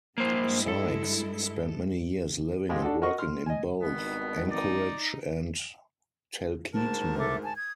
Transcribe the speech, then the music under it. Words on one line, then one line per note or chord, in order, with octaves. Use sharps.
Sykes spent many years living and working in both Anchorage and Talkeetna.
G2 G#3 A#3 E4 C5
A4
A2 G#3 G4 F5 C6
D4 F#4 A4
F#4 A#4 D#5 C#6
C6 F6
D#5 G#5
G#1 G2 B2 D#3 B3
D#4 D5
D2 G#2 A#4 A5
A4 E5 D6
G#5 A5
D#6 G#6